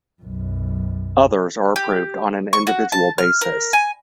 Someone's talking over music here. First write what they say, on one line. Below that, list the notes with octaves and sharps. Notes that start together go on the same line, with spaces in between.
Others are approved on an individual basis.
B1 F#2
G4
C#6
F#4
A5
F6
A#4
G#5